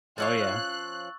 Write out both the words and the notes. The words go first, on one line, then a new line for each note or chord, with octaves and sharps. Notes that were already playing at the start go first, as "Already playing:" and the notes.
Oh, yeah.
F3 C#4 F5 C#6 E6 F#6 A6